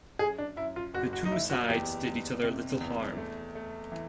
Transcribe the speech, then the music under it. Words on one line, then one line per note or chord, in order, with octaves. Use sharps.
The two sides did each other little harm.
F#2 G#4
D4
F#2 E4
F4
F#1 F#4
F#4
D#4
F#1 E4
F#4
E2 G4
E2
C3
E2
A3
A3
E3